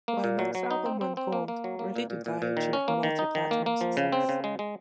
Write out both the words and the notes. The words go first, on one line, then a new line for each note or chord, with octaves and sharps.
While Mack's album went gold, "Ready to Die" achieved multi-platinum success.
A#3
A#2
F#3
F#3
D#4
C4
C4
C4
A#3
A#3
F#3
A#3
A#2
A#2
A#2
A#2
D#3
C#4
A#3
D#3
D#4
D#3
A#3
A#3
F3
C#3
C4
C#3
G#3
G#3